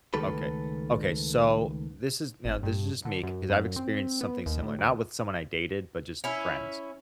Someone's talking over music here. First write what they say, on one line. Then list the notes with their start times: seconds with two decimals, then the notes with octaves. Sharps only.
Okay, okay, so this is, now, this is just me 'cause I've experienced something similar, not with someone I dated, but just friends.
0.14 C#2 D#3 A3 A4 B4
2.45 G#1
2.63 G2
3.05 D3
3.23 F#2
3.50 F#2
3.76 C4
4.21 B3
4.46 D#2
4.62 A2
4.79 D2
6.24 C#4 E4